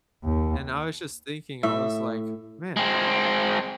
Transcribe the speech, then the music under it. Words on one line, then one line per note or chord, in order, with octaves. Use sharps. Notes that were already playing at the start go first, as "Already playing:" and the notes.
and I was just thinking, I was like, "Man"
D#2
A2 E5
G#3 C4